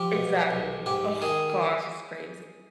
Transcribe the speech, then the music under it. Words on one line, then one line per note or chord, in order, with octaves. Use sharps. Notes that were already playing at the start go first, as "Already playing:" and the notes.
Exactly. Oh gosh, it's crazy.
Already playing: F3 G4
B2
B1
G#2 G4
D#3 G#4